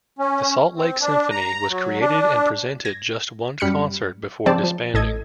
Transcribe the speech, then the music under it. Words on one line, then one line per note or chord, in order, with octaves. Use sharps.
The Salt Lake Symphony was created and presented just one concert before disbanding.
C#4
C4
D4
A#5
F#3
D4
G#6 A#6
F#2 G3 B5 F6 C#7
C#3 F3 C4 C5 D5 A5
F3
A1 A2 A4 D#5 G#6